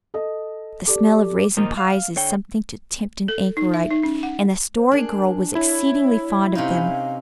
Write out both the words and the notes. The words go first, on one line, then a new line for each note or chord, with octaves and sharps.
The smell of raisin pies is something to tempt an anchorite; and the Story Girl was exceedingly fond of them.
A4 D#5
G4 A4 D5
A#2 D#3 F3 D#4
F5
D3 C#5 G5
A4
D#4
E5
D#4
C#4
F#5
C5
D4 G#4 A#4
E4 C#5
C3 C#4 D#4 F5